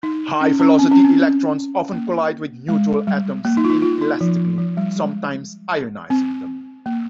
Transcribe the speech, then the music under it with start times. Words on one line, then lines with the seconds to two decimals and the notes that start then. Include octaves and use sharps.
High-velocity electrons often collide with neutral atoms inelastically, sometimes ionizing them.
0.03 D#4
0.41 C#4
0.60 C#4
0.79 C4
0.92 C#4
1.04 C4
1.92 A#3
2.69 G#3
3.07 G3
3.45 A#3
3.57 D#4
3.64 F4
3.70 D#4
3.82 F4
4.01 D#4
4.21 F3
4.58 F3
4.77 G3
4.96 G#3
6.10 C4
6.86 A#3